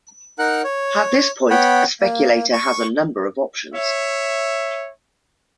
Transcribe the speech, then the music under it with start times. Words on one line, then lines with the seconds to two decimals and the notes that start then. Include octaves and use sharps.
At this point, a speculator has a number of options.
0.39 D#4 A#4 F#5 F#6
0.64 C#5
1.50 B3 C#5 F#5 G5 B5
2.01 A#3
2.53 C#6
3.73 C#5 E5